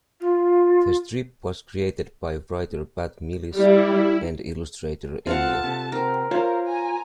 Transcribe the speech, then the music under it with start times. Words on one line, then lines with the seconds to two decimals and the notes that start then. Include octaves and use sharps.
The strip was created by writer Pat Mills and illustrator Enio.
0.21 F4
3.57 G3 E4
5.27 C4 F4 A4 F5 F#5 A5
5.64 C3
5.92 C4 A#4
6.31 F4 A#4 C5 C#5 F5
6.67 G#5 A#5